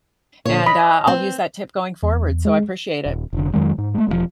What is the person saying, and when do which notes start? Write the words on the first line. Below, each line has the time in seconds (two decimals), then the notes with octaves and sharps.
and, uh, I'll use that tip going forward, so I appreciate it.
0.45 A#2 D3 C#5
0.66 D#5 B5
1.07 C4
2.03 E2
2.45 G#3
3.06 D#1
3.33 F1 D3
3.53 F2 D#3 F#3 G#3
3.78 G#2
3.94 G#3 A3
4.08 E1 B2 F3